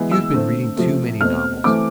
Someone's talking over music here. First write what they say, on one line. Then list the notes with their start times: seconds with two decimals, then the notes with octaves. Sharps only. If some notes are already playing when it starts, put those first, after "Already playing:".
You've been readin' too many novels.
Already playing: E3 G#3 B3
0.11 E6
0.34 D3 A3 C4
0.77 C3 F3 A3
1.21 B2 A3 C4 F6
1.64 E3 A3 C4 D6